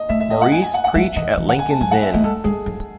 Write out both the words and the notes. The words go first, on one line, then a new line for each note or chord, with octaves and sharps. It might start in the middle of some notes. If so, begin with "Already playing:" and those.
Maurice preach at Lincoln's Inn.
Already playing: D#5
A3 E5
E5
D#5
F#5
G#5
G#5
F#5
F#5
G#3 E5
E3 D#5
E3
F#5
G#5
A5
F#3 G#5
F#5
E5
A3 D#5
G#3 A4
G#3 G#4
F#3